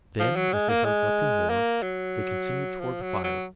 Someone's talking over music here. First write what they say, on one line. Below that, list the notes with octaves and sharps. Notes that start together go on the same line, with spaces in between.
Then, as they heard nothing more, they continued toward the fire.
F3
F#3
G#3
A#3
G#3
A#3
F#3
F3
F#3
F#3